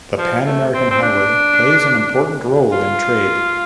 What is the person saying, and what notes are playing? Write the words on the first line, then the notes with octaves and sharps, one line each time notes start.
The Panamerican Highway plays an important role in trade.
F3
A3
C4
C4
D4
F4